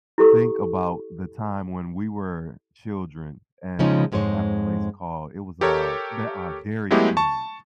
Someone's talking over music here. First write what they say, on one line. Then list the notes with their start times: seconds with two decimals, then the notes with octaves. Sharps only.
think about the time when we were children, and, what was that place called? It was, uh, the uh, Dairy Queen.
0.18 E4 G4 A4 C#6
3.79 C#3 F3 G#3 C#4 D#4
4.12 F2 G#2 G#3 C5 C#5
5.61 G4 A4 A#4 C#5
6.90 F#3 G#3 A3 B3 E4 G4
7.17 A5 C#6